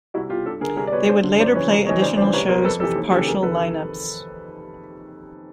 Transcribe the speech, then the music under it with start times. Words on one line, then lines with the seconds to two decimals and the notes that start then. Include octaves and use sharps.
They would later play additional shows with partial lineups.
0.14 C2 E4 F#4
0.30 B2 F4 G4
0.46 G2 G4 A4
0.61 D3 G#4 A#4
0.77 C2 G#4 A#4
0.87 D5
0.92 B2 B4 C#5
1.08 G2 C5 D5
1.23 D3
1.40 F#2 C5 D5
1.55 C#3 E3 B4 C#5
1.71 C2
1.86 C3 C#5 D#5
1.90 E3
2.02 D2 C5 D5
2.17 C#3 E3 C5 D5
2.33 C2 B4 C#5
2.48 B2 A#4 C5
2.64 F2 A4 B4
2.80 C3 G4 A4
2.83 E3
2.96 D#2
3.11 C#3 E3 G4 A4
3.27 F2 G#4 A#4
3.42 C3 D#3 A4 B4